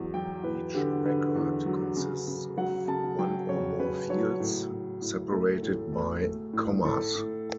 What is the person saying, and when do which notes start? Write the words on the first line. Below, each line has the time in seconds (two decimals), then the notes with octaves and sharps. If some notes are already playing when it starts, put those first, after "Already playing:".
Each record consists of one or more fields, separated by commas.
Already playing: E2 F#3
0.14 F#3 G5
0.44 E2 B4
0.75 D3 G4
1.05 D3 B4
1.36 E2
1.66 F#3
1.97 C#3
2.27 C#3
2.57 F#3 F#5
2.88 C#3 A5
3.19 F#3 G5
3.49 C#3 C#5
3.79 C#3 B4
4.10 F#3 C#5
4.40 A2
4.71 A2
5.02 A2
5.31 A3
5.62 A2
5.93 A3
6.23 A3
6.53 A2
6.85 A2 A4
7.15 A2